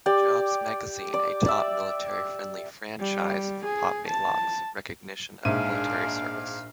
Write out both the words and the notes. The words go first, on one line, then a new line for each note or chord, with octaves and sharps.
Jobs Magazine a top military friendly franchise for Pop-A-Lock's recognition of military service.
G4 D5
D5
D5 E5
G3
G#4
A5
A#1 G#2 G#3 D4 E5 F5 D#7